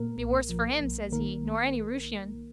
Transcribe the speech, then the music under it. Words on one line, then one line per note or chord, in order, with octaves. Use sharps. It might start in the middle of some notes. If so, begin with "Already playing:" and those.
Be worse for him, says he, nor any Rooshian.
Already playing: A#2 A#3 A#4
B1
F3
B1
D#3 A#3 A#4